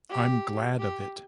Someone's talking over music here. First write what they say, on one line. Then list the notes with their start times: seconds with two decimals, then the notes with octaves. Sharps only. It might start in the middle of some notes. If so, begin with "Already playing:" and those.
I'm glad of it.
0.09 G4
0.79 G4